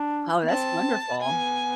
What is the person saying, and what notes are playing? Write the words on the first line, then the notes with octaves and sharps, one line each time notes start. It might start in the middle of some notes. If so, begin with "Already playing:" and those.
Oh, that's wonderful.
Already playing: D4
B3
C4 A5
B3 G#5